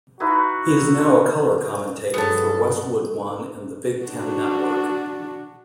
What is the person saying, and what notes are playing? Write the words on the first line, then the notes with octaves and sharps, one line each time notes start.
He is now a color commentator for Westwood One and the Big Ten Network.
D#4 E4 F#4 B4
G2 F#3 G#3 B3 A4 A5
D4 F#4